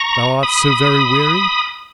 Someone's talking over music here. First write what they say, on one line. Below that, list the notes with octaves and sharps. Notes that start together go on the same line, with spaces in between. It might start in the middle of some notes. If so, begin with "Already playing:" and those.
Thou art so very weary?
Already playing: A#5 C#6
B5 D#6